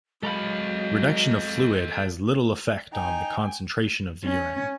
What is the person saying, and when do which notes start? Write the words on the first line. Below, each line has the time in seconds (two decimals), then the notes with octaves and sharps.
Reduction of fluid has little effect on the concentration of the urine.
0.23 F#3 G#3 A4 D#5 F5 A#5 B5
2.93 D#4 G5 G#5 A#5
4.25 C#4